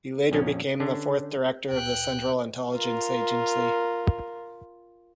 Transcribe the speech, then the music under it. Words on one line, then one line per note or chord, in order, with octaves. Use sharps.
He later became the fourth Director of the Central Intelligence Agency.
A#1 F2 A#3 C#4
D3 C#4 D4
D2 A#2 G5 F#6
F4 A#4